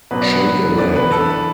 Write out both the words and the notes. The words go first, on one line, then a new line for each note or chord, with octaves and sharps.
Shake a leg.
B2 F#3 B3 D4 B4
D5
B4
E3 B3 D4 D5
B4
A4
B4